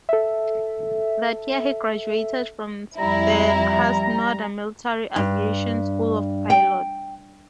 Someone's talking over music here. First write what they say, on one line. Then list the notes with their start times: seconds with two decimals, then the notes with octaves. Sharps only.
That year he graduated from the Krasnodar Military Aviation School of Pilots.
0.09 A4 E5
2.98 F2 G3 E4 A#5
5.16 G2
6.50 G5